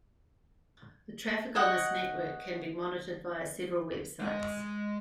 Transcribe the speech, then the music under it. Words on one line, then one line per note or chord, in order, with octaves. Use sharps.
The traffic on this network can be monitored via several websites.
C#5 D#5 F#5 G5
G#3 D#5